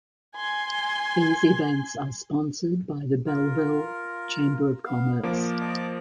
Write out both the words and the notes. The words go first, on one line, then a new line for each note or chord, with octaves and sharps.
These events are sponsored by the Belleville Chamber of Commerce.
G#5 C6
F4 A#4
B3 F5
F3 A#3 D5 D6
D#5 A5 D6